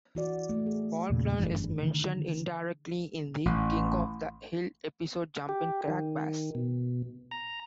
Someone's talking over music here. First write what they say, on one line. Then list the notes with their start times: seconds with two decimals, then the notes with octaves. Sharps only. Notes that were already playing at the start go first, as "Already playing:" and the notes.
Faulkner is mentioned indirectly in the "King of the Hill" episode "Jumpin' Crack Bass".
0.15 E3 F#4 D5
0.49 A3
0.66 G#4
1.10 E2 A#2 C#3
1.39 G1 F#2 E3 D4
1.83 D3 D#3
3.46 A1
5.49 G4
5.88 D#3
6.55 B2
7.31 A#5